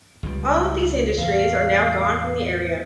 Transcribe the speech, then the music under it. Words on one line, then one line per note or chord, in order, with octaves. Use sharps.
All of these industries are now gone from the area.
C#2 G3
E2 A2 F5